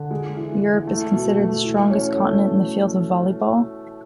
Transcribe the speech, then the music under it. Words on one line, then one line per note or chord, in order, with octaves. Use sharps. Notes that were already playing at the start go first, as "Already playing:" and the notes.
Europe is considered the strongest continent in the field of volleyball.
Already playing: D3
G#3
E3
E3
A3
B2
A3
E3
C#4
A3